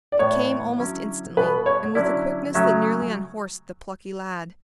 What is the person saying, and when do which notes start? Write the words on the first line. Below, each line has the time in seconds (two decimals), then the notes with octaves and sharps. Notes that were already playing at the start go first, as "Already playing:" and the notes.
It came almost instantly, and with a quickness that nearly unhorsed the plucky lad.
0.12 D5
0.19 A2 E3 B3 C#5
0.78 D3 F#3 C#4 E4
1.37 B2 G3 B3 B4
1.66 C#5
1.95 D3 F#3 C#4 E4 D5
2.54 C#3 F#3 A3 C#4 E5